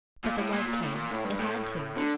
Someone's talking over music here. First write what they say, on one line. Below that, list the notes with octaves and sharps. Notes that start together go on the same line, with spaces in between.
But the love came ... it had to.
A#2
A2
A#2
A#2
A2
A#2
A2
G2
A2
D3